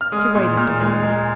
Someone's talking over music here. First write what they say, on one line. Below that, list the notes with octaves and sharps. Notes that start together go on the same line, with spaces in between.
She waited a while.
F6
G#3 D#6
A#2
A#2 F6
G#3
G#3